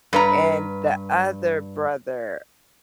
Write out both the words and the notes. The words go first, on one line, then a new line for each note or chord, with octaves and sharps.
and the other brother,
G2 B4 A#5